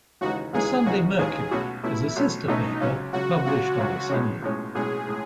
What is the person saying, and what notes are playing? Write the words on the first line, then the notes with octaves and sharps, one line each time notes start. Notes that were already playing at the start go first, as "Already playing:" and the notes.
The "Sunday Mercury" is a sister paper published on a Sunday.
D#2 C#3 E3 G#3 D#4 F#4
D#2 C#3 E3 G#3 D#4 G#4
D#2 C#3 E3 G#3 D#4 F#4
D#2 C#3 E3 G#3 D#4 G#4
B1 B2 A3 C#4 F#4
B1 B2 A3 C#4 E4
B1 B2 A3 C#4
B1 B2 A3 C#4 D#4
C#2 C#3 F#3 C#4
C#2 C#3 F#3 F#4
C#2 C#3 F#3 F#4
C#2 C#3 F#3
B1 A2 G#3 C#4
B1 A2 G#3 C#4
B1 A2 G#3 C#4 G#4
A2 G#3